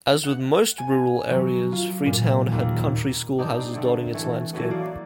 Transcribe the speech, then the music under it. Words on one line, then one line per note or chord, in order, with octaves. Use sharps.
As with most rural areas, Freetown had country schoolhouses dotting its landscape.
F#5
G#5
F#3
F4
A#2
D#2
D4 D#4 G4
C4
D3 A3 C4
E3 A3
E3 F#3 A3 B3
A#3 D5 F5